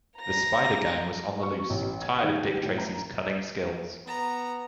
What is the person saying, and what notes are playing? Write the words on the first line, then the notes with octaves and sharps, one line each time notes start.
The Spider Gang was on the loose, tired of Dick Tracy's cunning skills.
A#5 A#6
C#6
A1
G#6
D#3
G4
A2
A#5
B3 A#5